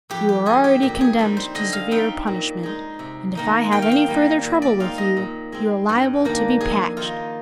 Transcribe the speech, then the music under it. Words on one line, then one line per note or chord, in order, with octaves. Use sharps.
"You are already condemned to severe punishment, and if I have any further trouble with you, you are liable to be patched."
F2 G4
G4
D3 G#3 G#4
G4
A#2 G4
G#4
G3 C4 D#4
C5
D3 D#5
F5
G3 C4 D#4 G5
A#2
G#3 D#4
C3
D#3 A#3 D#4
D#3 G5
F5
G5
G3 A#3
A#2
D5
G#3 C4 D#4 F5
D#5
A#2
G#3 C4
G2
D#3 A#3 D4
F2 G#4
D#3 A#3 D#4 F4